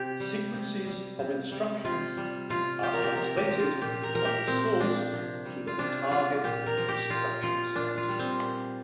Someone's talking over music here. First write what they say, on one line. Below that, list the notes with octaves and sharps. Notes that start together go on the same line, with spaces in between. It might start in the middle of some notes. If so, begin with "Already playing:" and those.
Sequences of instructions are translated from the "source" to the "target" instruction set.
Already playing: C3 G4
G3
C3
G3
C3
G3
C3 F4
G3
C3 F4
F3 G4
A#4
G4
C3 A#4
G4
F3
F4
A#2 G4
A#4
F3 A#4
G4
A#2 C4
F3 D4
C3
G3
F4
C3 D4
G3 F4
A#2 G4
A#4
F3
G4
A#2 F4
F3 F4
A#2 D4
F4
G3
C4
A#2